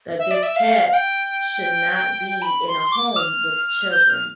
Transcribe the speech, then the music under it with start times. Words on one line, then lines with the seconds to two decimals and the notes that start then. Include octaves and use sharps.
that this cat should not be in a home with children
0.19 E5
0.31 D5
0.43 E5
0.56 F5
0.88 F5
0.93 G5
2.42 B5
2.67 C6
2.83 C6
2.92 D6
3.16 F6
3.91 G6
4.09 F6